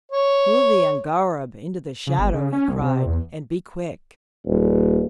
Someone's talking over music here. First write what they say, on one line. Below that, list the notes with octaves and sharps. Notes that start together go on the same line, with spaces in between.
"Move the angareb into the shadow," he cried, "and be quick!"
C#5
C#3
G1
C#3
C#4
C2
C3
E2
D#1